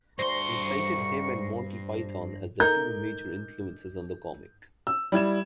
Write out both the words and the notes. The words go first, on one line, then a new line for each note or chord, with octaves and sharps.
He cited him and Monty Python as the two major influences on the comic.
D2 G2 C5 C6 C#6 A#6 C7
D#4 A#4 G6
E6
G3 E4 G#6 E7